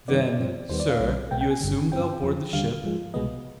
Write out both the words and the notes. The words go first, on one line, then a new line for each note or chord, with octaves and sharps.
"Then, sir, you assume they'll board the ship?"
G2 D#3 B3 D5
G2 F3 C4
D#2 D#3 G3 B3 C5
D5
F5
B1 B2 G3 C4
C2 B2 G#3 B3 G5
G5
G#5
G1 G2 D3
G2 F3 C4 G5
F2 C3 F3
D#2 D3 G3 F5
G#2 F3 G#3
C2 B2 G#3 B3 D#5